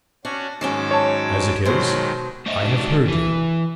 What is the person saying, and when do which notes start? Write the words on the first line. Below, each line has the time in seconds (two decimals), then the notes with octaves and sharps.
As it is, I have heard you.
0.25 C#4 D4 F#4
0.61 G#2 D#3 F#3 C#4 D6 E6
0.91 C#5 A5
1.65 B2 D#3 F#3 G#3 C5
2.46 A3 C5 D#5 E5
2.62 G#3 D4 D#4 F#4
3.06 E3 E4